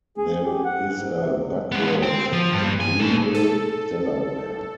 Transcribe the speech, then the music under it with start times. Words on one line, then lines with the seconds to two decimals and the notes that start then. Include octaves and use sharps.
There is a Buck Road, in Greenville, Delaware.
0.18 G#4
0.46 G4
0.65 F#5
0.93 G#2
1.17 C3
1.72 G#3 B3
2.03 C5 G5
2.33 F3
2.53 G2
2.80 G#5
3.00 B2 A4
3.35 A4